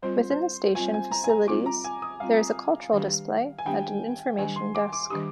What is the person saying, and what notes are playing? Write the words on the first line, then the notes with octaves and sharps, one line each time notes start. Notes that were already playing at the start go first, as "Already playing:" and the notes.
Within the station facilities there is a cultural display and an information desk.
G3 C4 F4 C5
C5
G3 C4 F4 G#5
G#5
A#5
G#5
A#5
G3 C4 F4 D6
A#5
G#5
D#6
G3 C4 F4 F5
D#3 G3 D4 G4
G#5
D#3 G3 D4 G4 G5
D#3 G3 D4 G4 G#5
C6
D6
D6
D#3 G3 D4 G4 D#6